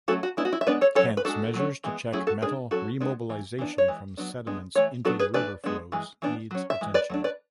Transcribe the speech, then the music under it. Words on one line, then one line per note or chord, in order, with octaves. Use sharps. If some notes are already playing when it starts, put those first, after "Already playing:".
Hence, measures to check metal re-mobilization from sediments into the river flows needs attention.
F#3 A3 C#4 F#4 A4
F#4
G#3 B3 D4 E4
F#4
E4
E5
G#3 B3 D4 B4 D5
A4 C#5
F#3 C#4 A4 C#5
B4
G#3 D4 F#4 A4
F#3 A3 C#4
E3 G#3 B3
F#3 A3 C#4 E4 G#4
F#4 A4
G#3 D4 G#4 B4
F#3 C#4 F#4 A4
G#3 B3 D4
E3 A3
E3 B3 D4
C#5
E3 G#3
F#3 B3 D4
G#3 B3 D4
E3 A3 C#5
F#3 B3 D4 F#4 A4
G#4 B4
E3 A3 D4 B4 D5
G#3 B3 D4
E3 G#3
E3 B3 D4
F#3 C#4
E5
E3 G#3
B4 D5
F#3 A3 D4
B4 D5